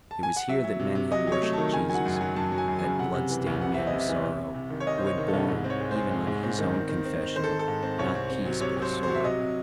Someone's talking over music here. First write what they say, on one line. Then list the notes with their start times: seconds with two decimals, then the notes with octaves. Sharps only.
It was here that men had worshipped Jesus, that blood-stained Man of Sorrow, who had borne, even on His own confession, not peace but a sword.
0.11 A5
0.23 G#5
0.36 F#5
0.48 F#3 E5
0.64 F#3
0.80 C3
0.95 C3
1.11 F#3 D#5
1.27 F#3 C#5
1.42 A3
1.53 D#3 A5
1.73 C#3 G#5
1.90 F#3 F#5 G#5
2.05 F#2
2.15 G#5
2.21 F#3
2.36 F#2 A5
2.52 F#3
2.58 G#5
2.68 F#2
2.79 G#5
2.84 C#3
2.99 C3 F#5
3.14 C3
3.30 E3
3.46 C2
3.61 C3 F#5
3.74 C4 E5
3.87 D#5
3.93 C3
3.99 E5
4.09 E3
4.24 C3
4.39 C3
4.55 C3
4.70 D#3
4.80 C#5
4.87 C2 D#5
4.98 C3 C5
5.07 C#5
5.18 D#3
5.28 A4
5.33 C2
5.48 G#2
5.64 C4
5.70 C#5
5.80 G#3
5.91 G#3 C5
6.11 G#3
6.27 G#2
6.43 C4
6.59 D#3
6.74 C4
6.89 D#3
7.05 C4
7.21 C4
7.36 D#3 C5
7.44 A4
7.52 D#3
7.59 A4
7.68 G#2
7.83 C4
7.99 C2 C#5
8.15 C4
8.30 C4
8.45 F#3
8.61 C3 C#5
8.77 F#3
8.82 C5
8.93 C3
9.03 F#3 C5
9.15 E5
9.24 C3 D#5
9.39 C3